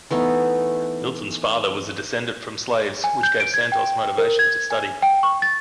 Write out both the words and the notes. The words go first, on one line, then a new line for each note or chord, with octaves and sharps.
Milton's father was a descendant from slaves, which gave Santos motivation to study.
E3 A3 B3 D#4
G#5
G6
D7
G#6
G5
A#4
G#6
G#5
G5
C#6
A6